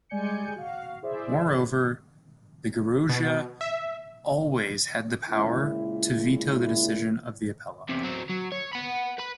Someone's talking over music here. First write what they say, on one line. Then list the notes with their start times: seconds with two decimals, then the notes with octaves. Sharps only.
Moreover, the gerousia always had the power to veto the decision of the apella.
0.09 G3 G#3 D5 G#5 G6 C#7
0.56 F#4 F5
1.02 E4 G#4 C5 D5 E5
3.09 B2
3.61 E5
5.29 C#2 A#2 E4
7.89 E2 C3
8.03 F#3 C4
8.29 F#3
8.52 C#5
8.73 F#5 B5
9.19 B4 B5